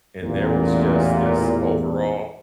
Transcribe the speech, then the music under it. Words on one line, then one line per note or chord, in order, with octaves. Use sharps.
and there was just this overall,
A1 E2 A#2